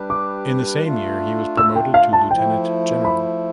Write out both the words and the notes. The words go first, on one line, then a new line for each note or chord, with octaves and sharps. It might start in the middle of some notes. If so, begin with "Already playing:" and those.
In the same year he was promoted to lieutenant general.
Already playing: G3 D4 G4 B4
D6
A3 D4 F4
E6
G5
F5
A5
F3 A3 E4 G5
B5